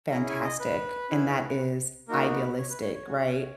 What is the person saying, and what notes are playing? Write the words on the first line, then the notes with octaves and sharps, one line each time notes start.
fantastic, and that is idealistic, right?
C#4 E4 G#4 A#5
G#5
D#5
B4
C#4 E4 G#4
A#3 D#4 F#4 A#4
B4
C#5
B4
C#5
C#5
C#4 F#4